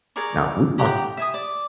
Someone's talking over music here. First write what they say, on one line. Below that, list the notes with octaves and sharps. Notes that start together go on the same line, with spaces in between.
Now we talk
G#4 A#4 D5 C#6
G4 F#5 G5 A#5
E5 G#5 D#6
D5